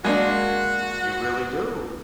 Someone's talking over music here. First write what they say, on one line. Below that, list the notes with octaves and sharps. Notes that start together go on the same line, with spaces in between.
You really do.
G#3 A#3 D4 F#4